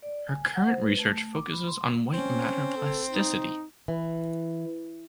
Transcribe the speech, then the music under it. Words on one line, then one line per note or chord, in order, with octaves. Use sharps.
Her current research focuses on white matter plasticity.
D5
G#5
F#5
C5
B4
A3
D6
B5
C6
C4 C#4
A4
D#4
E3